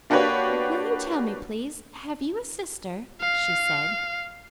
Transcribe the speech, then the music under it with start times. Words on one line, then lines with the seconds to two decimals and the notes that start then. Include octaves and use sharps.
"Will you tell me, please, have you a sister?" she said.
0.10 A#3 D4 F#4 G4 B4 C#5
3.21 F5